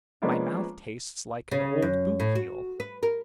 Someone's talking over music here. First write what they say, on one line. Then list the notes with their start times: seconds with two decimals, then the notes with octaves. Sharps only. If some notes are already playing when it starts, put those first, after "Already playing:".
My mouth tastes like an old boot heel.
0.22 F3 G#3 A#3 B3 C#4 D4
1.51 C#3
1.82 F#2
2.20 A2
2.35 F#4
2.80 B4
3.03 A#4